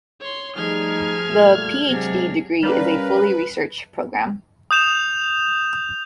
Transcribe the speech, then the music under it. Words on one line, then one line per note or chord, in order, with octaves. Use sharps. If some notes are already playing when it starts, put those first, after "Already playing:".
The Ph.D degree is a fully research program.
C#5 C6
F3 G3 A3 D#4 G#4 F6 G#6
A#2 G3 A3
C3 F#3 G#3 D4 G#4
G3 C#4 A#4 B4 F5
D#6 G6 E7 F7